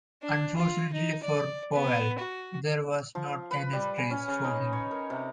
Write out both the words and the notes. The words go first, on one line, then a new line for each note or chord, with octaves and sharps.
Unfortunately for Powell, there was not a 'next race' for him.
D4
F4
D#4
D5
B3
F#4
F3
B4
G3
G#5
C#4
C#3
D#4
C#5
A#4
C3